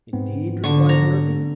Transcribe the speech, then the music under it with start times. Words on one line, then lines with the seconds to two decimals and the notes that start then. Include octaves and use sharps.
"Indeed!" replied Murphy.
0.13 G#2 B3 C4
0.64 D3 C#6
0.89 A#5